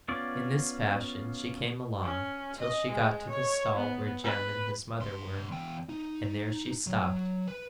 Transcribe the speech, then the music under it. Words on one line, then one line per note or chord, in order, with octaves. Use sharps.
In this fashion she came along till she got to the stall where Jem and his mother were, and there she stopped.
B3 C#4 F4 D5
C#4
D#5
G#3
C#5
B3
B4
G2 C6
E2 G5
D#4
F#3
B4